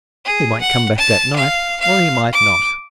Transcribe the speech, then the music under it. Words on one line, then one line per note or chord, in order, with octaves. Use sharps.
He might come back that night or he might not.
G#4
F#5
A5
F5
F5
D6